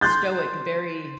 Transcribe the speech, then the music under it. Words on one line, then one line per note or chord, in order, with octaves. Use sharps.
stoic, very,
C6 F#6 G6 A6